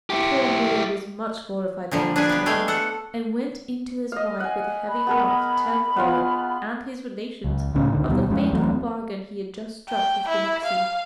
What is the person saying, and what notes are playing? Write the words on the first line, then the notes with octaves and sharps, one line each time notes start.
The poor miller was much horrified by these tidings, and went in to his wife with a heavy heart to tell her and his relations of the fatal bargain he had just struck with the nixy.
E4 G4
A#2 D3 F3 G3
D4 G#4 B4 G#5
B3 G4
G#3 A3 G#4 F5 G5 G#5
A4 F#5
D#5 F5
F#5 G#5
B5
B3 G#4 A#4
B3 F4 F5
C#2
C#2 A2 C#3 C#4
C#2 D3 D#3
D#2 B2 G3
F2 G#3 C#4
E2 F#3 A3 C4
G5
E4
F5